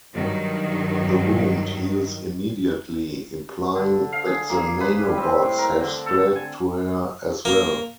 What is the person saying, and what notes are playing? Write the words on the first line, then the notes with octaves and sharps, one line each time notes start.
The wound heals immediately, implying that the nanobots have spread to her as well.
G2 D#3 F#3
D3
F5
G#4
A#3
B4
G3
C4
A2
A#4
D3
A4
G#5
A#3